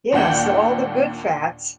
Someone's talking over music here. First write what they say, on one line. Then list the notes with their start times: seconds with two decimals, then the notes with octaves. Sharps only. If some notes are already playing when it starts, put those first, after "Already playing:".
Yeah. So, all the good fats
0.12 D#2 A#2 D4 F#5 G5 G6